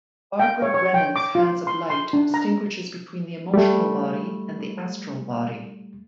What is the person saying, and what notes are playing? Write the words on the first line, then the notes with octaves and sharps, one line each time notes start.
Barbara Brennan's "Hands of Light" distinguishes between the emotional body and the astral body.
G5
C#5
C#5
G5
D6
F4
C6
C6
D4
A#5
G3 A3